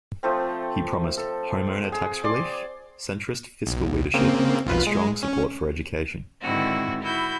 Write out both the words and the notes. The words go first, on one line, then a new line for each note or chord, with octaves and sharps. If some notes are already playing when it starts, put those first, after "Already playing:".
He promised homeowner tax relief, centrist fiscal leadership, and strong support for education.
F3 A3 C4
A4
G#4
D5 C6 D6
B1
C#3 A#3 C4
B1 F4 B4
G#3
C#4
G#2 D3 D#3 C4 E4 F#4
E4 F#4 B5 G6